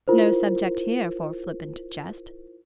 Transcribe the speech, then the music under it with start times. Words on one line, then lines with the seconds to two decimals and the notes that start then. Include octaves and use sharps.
No subject here for flippant jest.
0.08 E4 F4 A#4 C5